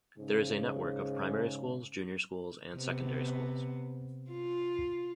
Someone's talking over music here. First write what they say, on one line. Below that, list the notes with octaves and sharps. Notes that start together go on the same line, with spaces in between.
There is a network of primary schools, junior schools and secondary schools.
G#2 C#3
C3 B3
F4